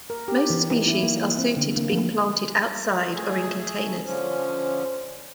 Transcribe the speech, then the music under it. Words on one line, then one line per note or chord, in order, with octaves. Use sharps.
Most species are suited to being planted outside or in containers.
A#4
G4
E3
D#4
E4
A#3
C4
D3
A#3
F3
A3 G#4
D3 F3 C#4 C5